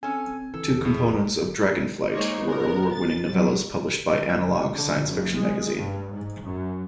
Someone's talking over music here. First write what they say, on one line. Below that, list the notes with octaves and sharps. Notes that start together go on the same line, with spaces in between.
Two components of "Dragonflight" were award-winning novellas published by "Analog" science fiction magazine.
C4 C#4 A4 G#5
D3 E3 A4
E1 A#1 E2 G4
A2 G#4
G#3 A#3 D#4 A#4 C5 C#5
B3 A#4
A6
F2 F#3
D3
F#1
G#3
G2
G#2
F#2